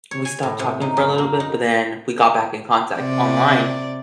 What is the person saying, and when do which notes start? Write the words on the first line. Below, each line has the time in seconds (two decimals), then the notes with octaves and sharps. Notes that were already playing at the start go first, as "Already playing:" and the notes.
we stopped talking for a little bit, but then we got back in contact online
0.11 C#5
0.25 G#5
0.43 A2
0.59 C3
0.81 D#4
0.97 F#2
1.18 A#3
1.40 D#4
2.96 C3 D5